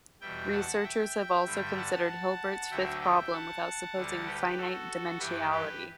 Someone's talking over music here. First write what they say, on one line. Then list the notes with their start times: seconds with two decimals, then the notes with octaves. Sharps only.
Researchers have also considered Hilbert's fifth problem without supposing finite dimensionality.
0.21 E2 B2 G3 E5 G5
0.52 F#5 A5
0.84 E5 G5
1.46 G2 D3 G3
1.77 F#5 A5
2.71 D2 D3 F#3 E5 G5
3.01 E5 G5
3.33 F#5 A5
3.96 D2 D3 G3
4.26 G4 B4
4.57 F#4 A4
5.19 G2 E3 G3 G4 B4
5.51 G4 B4